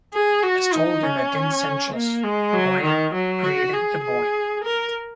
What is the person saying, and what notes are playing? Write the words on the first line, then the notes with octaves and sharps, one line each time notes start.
As told in the Dindsenchas, Boann created the Boyne.
G#4
F#4
D#4
C#4
A#3
G#3
F#3
D#3
F#3
F#4
G#4
G#4
A#4